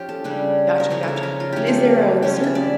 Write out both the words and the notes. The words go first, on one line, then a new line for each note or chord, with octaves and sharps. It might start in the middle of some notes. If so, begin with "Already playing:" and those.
Gotcha, gotcha. Is there a certain
Already playing: F3 C#4 F4 G4
A4
C#3 G3 D4
A#4
C#3 F3 C#4 C#5
A4 A#4
C#5
A#4
F4
F3 A3 C#4 G4
F4
C#3 F3 C#4 G4
F4
E5
D5